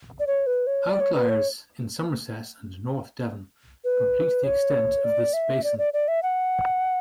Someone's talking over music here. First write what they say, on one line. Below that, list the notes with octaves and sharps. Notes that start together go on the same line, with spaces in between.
Outliers in Somerset and north Devon complete the extent of this basin.
D5
C#5
B4
C#5
D5
C#5
B4
C#5
B4
C#5
D5
E5
D5
D5
D5
E5
F#5